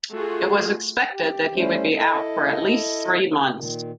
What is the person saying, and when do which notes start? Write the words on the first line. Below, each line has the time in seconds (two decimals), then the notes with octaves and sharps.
It was expected that he would be out for at least three months.
0.12 A3 F4 F#4 G#4
1.13 G4
1.55 G3 A3 C#4 E4 C5
1.95 E4 A4 D#5
3.54 A#2 D#3